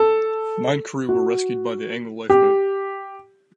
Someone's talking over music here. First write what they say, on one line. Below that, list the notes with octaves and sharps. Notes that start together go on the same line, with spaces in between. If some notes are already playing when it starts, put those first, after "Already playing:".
Nine crew were rescued by the Angle Lifeboat.
Already playing: A4
F#4
G4